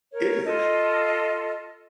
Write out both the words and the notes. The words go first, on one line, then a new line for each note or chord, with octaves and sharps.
it ju
A#4 C#5
F4 A4 D#5